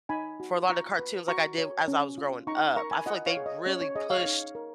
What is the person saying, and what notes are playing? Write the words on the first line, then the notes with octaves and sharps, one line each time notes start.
for a lot of cartoons like I did as I was growing up. I feel like they really pushed
D#4 G#5 B5
F#4
F4 A#5 C#6
B4
F#4 A#5 C#6
C#5
C#4
F4
D#4 A#5 C#6
A#4 A#5 C#6
G#5 B5
F4 D#5 F#5
C#5 F5
G#4
D#5
C#4 C#5
C#5
G#4 D#5
C#5 F5
D#4
A#4